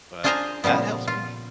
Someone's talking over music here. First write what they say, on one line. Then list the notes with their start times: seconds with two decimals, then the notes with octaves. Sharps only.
But, that helps me.
0.24 D4 F4 G#4 C5 G#5 A#5
0.64 A#2 C#3 F3 G3 B3
1.08 F4